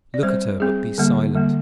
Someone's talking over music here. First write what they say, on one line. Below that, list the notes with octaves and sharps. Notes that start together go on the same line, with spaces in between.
Look at her, but be silent.
D5
G3 C4 C5
G3 C4 G#4
D3 G3 A#3
D3 G3 A#3